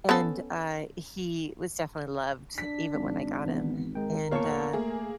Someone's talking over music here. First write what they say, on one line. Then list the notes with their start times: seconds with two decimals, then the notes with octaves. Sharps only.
and, I he was definitely loved, even when I got him. And, uh,
0.09 B3 C#4 A4
2.58 D4 B6
2.94 G#1
3.46 E3 B3
3.95 G#3 A#4 G5
4.31 E2 A#2 C#5 F5 A5 C#6
4.73 A3 A#3 G#4